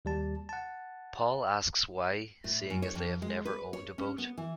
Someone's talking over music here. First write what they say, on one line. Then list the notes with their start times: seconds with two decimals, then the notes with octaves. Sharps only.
Paul asks why, seeing as they have never owned a boat.
0.05 D#2 G3 A5
0.49 F#5 A5
2.44 A2
2.70 F#2
2.82 C#5
2.95 F2
3.22 G#3
3.45 B4
3.73 C#5
3.98 C#4
4.18 B3
4.38 E3